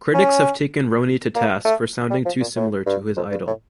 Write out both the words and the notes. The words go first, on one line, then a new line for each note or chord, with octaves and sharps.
Critics have taken Roney to task for sounding too similar to his idol.
C#4
A#3
A3
G3
F3
A#2
A2
G2
F2
G2
A2